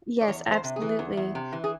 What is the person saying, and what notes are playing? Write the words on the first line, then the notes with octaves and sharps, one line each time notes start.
yes, absolutely.
D5
E2 C#5
E2
C5
C3
G#4
E3
E2
E2
C3
E3
G#4